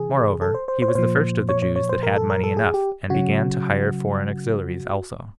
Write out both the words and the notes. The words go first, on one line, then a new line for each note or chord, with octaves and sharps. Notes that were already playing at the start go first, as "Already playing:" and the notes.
Moreover, he was the first of the Jews that had money enough, and began to hire foreign auxiliaries also.
Already playing: C3 E3 G#4
A4
C5
C5
C5
C#5
A#2 F3 C5
C#5
C#5
C#5
C5
A#4
A4
A#4
A4
G#4
G4
C#3 F#3 F#4